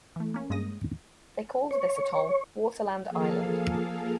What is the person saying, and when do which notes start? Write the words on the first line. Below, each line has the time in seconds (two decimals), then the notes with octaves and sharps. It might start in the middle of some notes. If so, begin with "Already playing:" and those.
They called this atoll "Waterland Island".
0.16 E3 A3
0.34 A#3 C#4
0.50 G2 G#3 A#3 D#6 A#6
1.71 C#5
3.09 F3 A#3 G#4 A4 F5